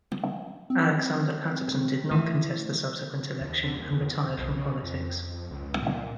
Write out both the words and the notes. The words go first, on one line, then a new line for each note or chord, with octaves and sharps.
Alexander Paterson did not contest the subsequent election, and retired from politics.
C4
E3 A3
D#2
D3
D#2
E2
B1
C#3
F2
C#2
A#2